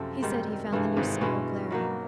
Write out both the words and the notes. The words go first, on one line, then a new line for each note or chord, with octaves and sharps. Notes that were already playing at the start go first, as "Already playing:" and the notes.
He said he found the new snow glaring.
Already playing: F#2 C3 F3 A3 C4
G#2 D#3 G3
G2 C3 E3 A3
G#1 G#2
G2 B2 G#3 C#4 E4
B2 F#3 A#3 D#4